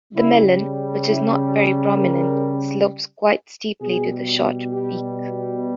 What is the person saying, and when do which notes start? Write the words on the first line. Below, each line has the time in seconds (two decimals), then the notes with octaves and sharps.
The melon, which is not very prominent, slopes quite steeply to the short beak.
0.14 C#3 G3 E4
1.06 E4
1.52 G#4
1.97 A#4
3.81 B2 G3 G#4
4.72 G4